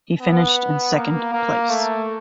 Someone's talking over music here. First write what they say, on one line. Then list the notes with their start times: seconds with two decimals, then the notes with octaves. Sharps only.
He finished in second place.
0.21 B3
0.96 A#3
1.33 A#3
1.70 A3